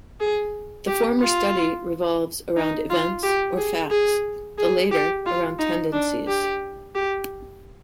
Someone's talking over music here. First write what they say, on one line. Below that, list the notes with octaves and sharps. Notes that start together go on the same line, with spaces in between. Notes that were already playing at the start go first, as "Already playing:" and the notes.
The former study revolves around events, or facts; the latter, around tendencies.
G#4
G4
F4
D#4
F4
G4
G#4
G#4
G#4
G4
F4
D#4
D4
G4
G4